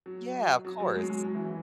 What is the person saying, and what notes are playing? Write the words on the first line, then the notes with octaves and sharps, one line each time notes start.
Yeah, of course.
F#3
F#3
F#3
G#3
F#3
G#3
F#3
E3
E3